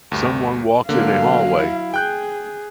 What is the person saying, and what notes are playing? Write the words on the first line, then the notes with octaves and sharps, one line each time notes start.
Someone walks in a hallway.
D2 G2
D3 F#3 A#3 F5
E4
G#4 G5 F#6 G6